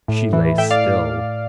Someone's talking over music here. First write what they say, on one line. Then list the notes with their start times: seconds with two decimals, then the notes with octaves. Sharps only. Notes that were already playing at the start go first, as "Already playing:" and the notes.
She lay still.
0.08 A2
0.33 E3
0.58 A2 E5 G5
0.71 D5 F5